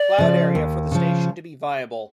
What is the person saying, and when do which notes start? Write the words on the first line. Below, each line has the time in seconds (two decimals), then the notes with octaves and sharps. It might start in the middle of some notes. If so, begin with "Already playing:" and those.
Cloud area for the station to be viable.
Already playing: D5
0.18 C#3 F3
0.55 D#2
0.91 C#3 F3